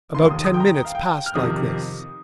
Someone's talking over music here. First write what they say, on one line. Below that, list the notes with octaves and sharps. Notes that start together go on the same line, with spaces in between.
About ten minutes passed like this.
F1 D#2 D#3 C6
D#6
D#6
G5
A#5
G5
F5
G5
F6
F2 C3 D#3 D#6